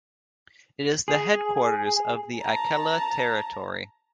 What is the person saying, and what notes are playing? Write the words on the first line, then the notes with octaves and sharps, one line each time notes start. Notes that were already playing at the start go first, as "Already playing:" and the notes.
It is the headquarters of the Ikela Territory.
G#4
A5 A#5